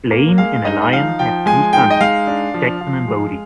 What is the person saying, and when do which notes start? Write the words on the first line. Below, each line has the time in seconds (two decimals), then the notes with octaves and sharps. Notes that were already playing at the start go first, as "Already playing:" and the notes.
Blaine and Aliane have two sons, Jackson and Bodhi.
0.11 A#3
0.38 G#3 F5
0.65 D#4 D#5
0.81 D#5
0.93 F3 F5
1.19 F3 G5
1.46 G#3 G#5
1.73 D#4 G5
1.90 D#5
2.01 G#3 F5
2.27 D4
2.54 F3
2.81 F3
3.08 G#3